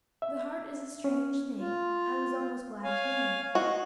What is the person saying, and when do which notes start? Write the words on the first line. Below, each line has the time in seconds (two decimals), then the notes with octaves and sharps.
The heart is a strange thing; I was almost glad at hearing it.
0.22 E5
1.04 C#4
1.57 F4
2.84 C#5 F5 G#5
3.55 F#4 D#5